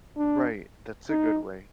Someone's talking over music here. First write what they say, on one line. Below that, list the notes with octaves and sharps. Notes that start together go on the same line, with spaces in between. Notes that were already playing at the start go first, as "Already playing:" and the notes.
Right, that's a good way.
D4
D#4